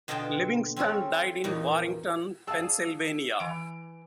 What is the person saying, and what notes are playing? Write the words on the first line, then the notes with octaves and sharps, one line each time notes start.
Livingston died in Warrington, Pennsylvania.
B2 D3 F4 G#4 G5 A5
C4 C#4 F4 A4
E2 A#2 D#4
G#4 D5 F5 A5 E6
E3 D7